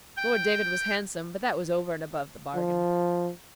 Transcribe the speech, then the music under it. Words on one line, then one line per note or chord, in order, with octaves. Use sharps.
Lord David was handsome, but that was over and above the bargain.
G5
F3